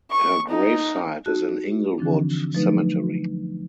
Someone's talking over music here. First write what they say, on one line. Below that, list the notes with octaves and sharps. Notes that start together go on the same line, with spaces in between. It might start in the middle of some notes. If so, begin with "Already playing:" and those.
Her gravesite is in Inglewood Cemetery.
C#6
D#4
D#4 F#4 A5 F#6
D3 E3 F3 C4 D4
F3 F#3 A3 D#4 B4